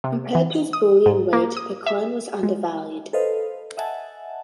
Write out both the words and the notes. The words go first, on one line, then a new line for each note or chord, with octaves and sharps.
Compared to its bullion weight, the coin was undervalued.
C3
E3
D#6
G#2
A#3
D#6
E5
G#3
A4 B4 C5 D#5 F5
D#5 E5 F#5 G#5 A5